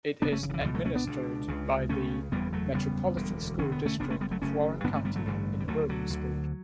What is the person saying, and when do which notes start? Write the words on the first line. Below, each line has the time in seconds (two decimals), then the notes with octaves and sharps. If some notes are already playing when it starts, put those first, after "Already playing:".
It is administered by the Metropolitan School District of Warren County in Williamsport.
0.22 G1 F#2 C#3 B3 D4
0.32 A3 C#4
0.43 E3
0.49 D3
0.54 E3
0.64 C#2 B2 E3 G3
0.74 F#3 A3
0.85 A3 C#4
0.95 B3 D4
1.06 C#2 B2
1.48 C#2 C#3
1.89 C#2 C#3 A3 C#4
2.32 F#1 E2 C#3 G3 B3
2.53 F#3 A3
2.74 F#1 E2 C#3 G3 B3
3.16 E1 D2 D3
3.58 E1 D2 D3 C#4
3.72 B3
3.86 A3 C#4
3.99 F#1 F#2 C#3 B3 D4
4.10 A3 C#4
4.21 G3 B3
4.31 F#3 A3
4.42 F#1 F#2 C#3 A3 C#4
4.84 A1 G2 D3 B3 D4
4.95 A3 C#4
5.05 G3 B3
5.16 F#3 A3
5.26 A1 G2 D3
5.60 G3
5.68 D2 D3 F#3 A3
5.89 D3 F#3
6.10 D2 D3